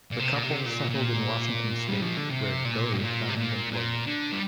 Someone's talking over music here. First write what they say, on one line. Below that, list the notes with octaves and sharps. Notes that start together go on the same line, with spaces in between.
The couple settled in Washington state, where Doe found employment.
A#2
C3
A#2
C3
A#2
A#2
G3
F3
D3
C3
A#2
G2
A#2
C3
A#2
A#2
D3
G3